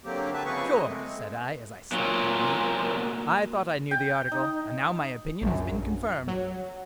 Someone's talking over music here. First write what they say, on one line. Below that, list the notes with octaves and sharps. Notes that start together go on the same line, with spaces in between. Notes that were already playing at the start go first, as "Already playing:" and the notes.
"Sure," said I, as I slapped my knee, "I thought I knew the article, and now my opinion has been confirmed."
D3 F#3 A#3 C4 G4
B4 E5 A5
C#3 F3 C4 G#4 B4 C#6
A#3 D#5
G#3 A3 C4
A#2 F#3
G5
D#4
A#1 F#2
F#3